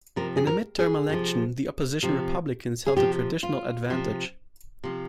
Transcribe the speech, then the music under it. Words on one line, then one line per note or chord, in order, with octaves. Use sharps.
In a midterm election, the opposition Republicans held the traditional advantage.
C3 F3 A#4
G#4
A#4
G#4
C3 F3
C3 F3
G#4
C3 F3 G4
F4
C3 F3
C3 F3